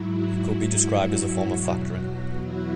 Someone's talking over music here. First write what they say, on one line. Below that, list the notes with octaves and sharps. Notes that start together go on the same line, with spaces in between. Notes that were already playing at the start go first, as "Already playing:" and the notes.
It could be described as a form of factoring.
Already playing: G#2 F#3 E4
F#4
E2 B2 F#3
E4